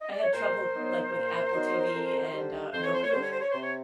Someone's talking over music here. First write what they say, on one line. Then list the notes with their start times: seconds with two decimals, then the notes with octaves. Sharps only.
I had trouble, like, with Apple TV and, uh, Roku
0.01 D#5
0.11 D5
0.23 C#5
0.33 A#2 A#4 C5
0.73 F#3 B3 D#4
1.13 A#2
1.53 F#3 B3 D#4
1.93 F2
2.33 D3 G3
2.72 F2 C5
2.82 C#5
2.93 C5
3.02 C#5
3.11 D3 G3 C5
3.22 C#5
3.31 C5
3.41 C#5
3.51 C3 C5
3.61 C#5